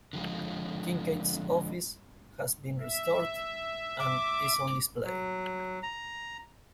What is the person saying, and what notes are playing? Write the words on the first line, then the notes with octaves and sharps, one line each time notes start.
Kinkaid's office has been restored and is on display.
D3 F3 G#3
E5
D6
F#3
A#5